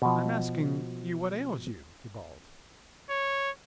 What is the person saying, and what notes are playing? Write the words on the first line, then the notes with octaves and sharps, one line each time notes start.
"I'm asking you what ails you?" he bawled.
B2 F3
C#5